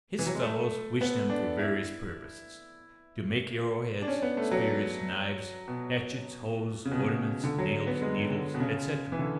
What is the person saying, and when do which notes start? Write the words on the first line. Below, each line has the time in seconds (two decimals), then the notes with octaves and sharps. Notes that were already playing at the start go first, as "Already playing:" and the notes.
His fellows wish them for various purposes: to make arrow heads, spears, knives, hatchets, hoes, ornaments, nails, needles, etc.
0.19 E3
0.26 F#3
0.35 G#3
0.42 A3
1.01 B3
1.30 D4
1.59 E4
4.02 D4
4.08 C#4
4.22 B3
4.37 A3
4.51 F#3
5.68 B2
6.85 C#3
6.91 B2
6.99 C#3
7.44 D3
7.58 F#3
7.87 B3
8.02 G#3
8.30 D3
8.54 B2
8.60 C#3
9.12 E3
9.19 D3